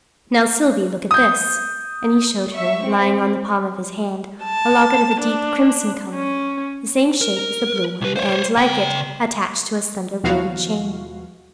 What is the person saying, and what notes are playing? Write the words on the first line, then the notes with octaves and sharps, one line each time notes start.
"Now, Sylvie, look at this." And he showed her, lying on the palm of his hand, a Locket of a deep crimson colour, the same shape as the blue one and, like it, attached to a slender golden chain.
D#6 G6
E5 C#6
C4
A5
D4
C#4
A#4
C2 B4
C5 C#5
C#3 G5
D#2 B2 F3 E4 F#4 F5